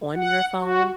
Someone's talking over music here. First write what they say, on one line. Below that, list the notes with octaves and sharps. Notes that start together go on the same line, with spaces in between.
on your phone,
F#5
F#4